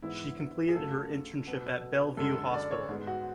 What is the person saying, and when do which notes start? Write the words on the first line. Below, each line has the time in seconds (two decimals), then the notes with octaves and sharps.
She completed her internship at Bellevue Hospital.
0.02 G#2 E3 B3 E4
0.68 G#4
0.74 F#2 C#3 F#3 A3 A4
1.46 B2 F#3 B3
2.17 F#2 D3 G#3 A4
2.36 A4
2.54 D5
2.71 C#5
2.89 G#2 G#3 B3
3.07 F#4